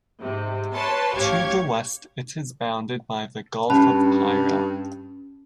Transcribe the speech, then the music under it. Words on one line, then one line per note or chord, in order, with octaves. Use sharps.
To the west it is bounded by the Gulf of Paria.
G#2 C3
B4 C#5 A5 C6
A1 G4 C#5 F5 G#6
G2 C#4 A5 B5